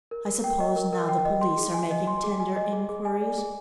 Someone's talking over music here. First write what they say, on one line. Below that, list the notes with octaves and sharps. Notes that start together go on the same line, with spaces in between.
"I suppose now the police are making tender inquiries?"
A#4
A#4
G5
D#5
A#4
A#4
G5
D#5
C6
G#4
G#5
D#5
C6
G#4
G#5
D#5
G#4
G#4
G#5
D5
G#4